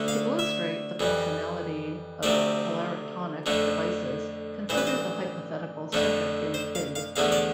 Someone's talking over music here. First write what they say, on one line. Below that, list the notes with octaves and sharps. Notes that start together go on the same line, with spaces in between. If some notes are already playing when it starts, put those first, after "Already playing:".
To illustrate the functionality of polaritonic devices, consider the hypothetical circuit in Fig.
Already playing: D2 D3 A3
F5
E5
F2 E3 G3
D2 C3 F3 A3 D5
F2 D3 F3 A3
A1 G2 E3 C5
B4
C5
F2 D3 F3 A3
C5
F5
F5
E2 D3 F3 A3 F5
D5